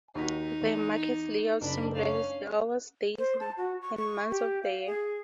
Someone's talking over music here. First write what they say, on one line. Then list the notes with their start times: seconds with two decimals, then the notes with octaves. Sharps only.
The market's layout symbolizes the hours, days, and months of the year.
0.15 D#2 D#4 F#4 B6
0.61 E2
1.61 F#1 D4 D5 B5
1.94 C#4 F5
3.18 C5
3.40 A5
3.57 F#4
3.82 C#6
3.97 C#6
4.30 G4
4.63 F5
4.86 G#4